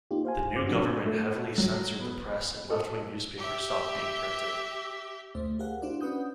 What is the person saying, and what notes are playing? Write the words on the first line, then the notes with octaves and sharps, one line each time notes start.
The new government heavily censored the press and left-wing newspapers stopped being printed.
A#3 D#4 F4 G4
C5 F5 G#5
G2 C5 D6
F#3 C4 D4 F#4
A3
F#3
B3
A4
G4 E5
D2 A3 C5
G4 G#4 A#4 F5 F#5
D4 E4 F#4 C5 D5
C#4 B4 F#5 D#6 G6